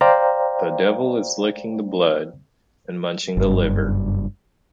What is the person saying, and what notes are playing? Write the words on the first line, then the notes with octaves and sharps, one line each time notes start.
The devil is licking the blood and munching the liver.
C5 D5 F5 G5 A#5
F#1 G2